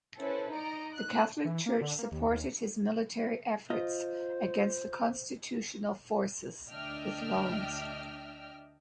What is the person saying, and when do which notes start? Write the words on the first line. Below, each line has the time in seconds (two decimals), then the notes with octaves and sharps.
The Catholic Church supported his military efforts, against the constitutional forces, with loans.
0.18 C#4 E4 A4 B4 C5
0.53 D#4 D5 D#5 A#5 D7
0.93 F#6
1.45 E3
1.66 A#3
1.81 D3
1.99 A#3
2.12 D#2
2.29 D#2
3.70 F4 C5 D#5
6.70 D2 D4 D#5 E5 G5 F6